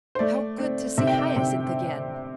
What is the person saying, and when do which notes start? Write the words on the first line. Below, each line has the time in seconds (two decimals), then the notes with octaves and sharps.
How good to see Hyacinth again!
0.15 C5
0.19 A3 D5
0.58 C4
0.98 C3 E5
1.07 G5
1.18 E5
1.36 C3